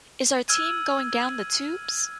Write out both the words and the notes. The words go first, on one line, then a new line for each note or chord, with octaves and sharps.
Is our team going down the tubes?
E6 F6 G#6 D#7